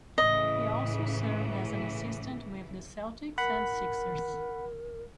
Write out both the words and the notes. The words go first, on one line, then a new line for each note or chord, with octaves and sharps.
He also served as an assistant with the Celtics and Sixers.
A2 C#3 E3 D#5
A#4 F#5 B5